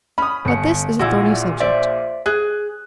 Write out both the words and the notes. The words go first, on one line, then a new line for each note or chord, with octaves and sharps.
But this is a thorny subject.
C#4 B5 D#6
G1 C#7
A#1 A#2 E4 F#4
C5 D5 E5
G#4 F#6